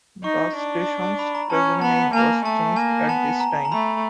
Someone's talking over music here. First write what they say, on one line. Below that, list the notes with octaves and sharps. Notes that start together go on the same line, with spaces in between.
The station's present name was changed at this time.
D#4 C#6
D4
B5
A#5
C#4 A5
B3 A5
A#3 G#5
A3 A5
A#3 G#5
B3 A5
A#5
A#5
A3 B5